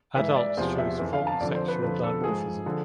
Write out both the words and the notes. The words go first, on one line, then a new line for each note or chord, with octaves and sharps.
Adults show strong sexual dimorphism.
G#2 E3 E5
D5
E2 C3 F3 C5
E5
F2 E3
F5
A5
F2 D3 F3 D5
C5
B4
F2 D3 F3 B4
A4
G#2 F3 G#4
D3 F3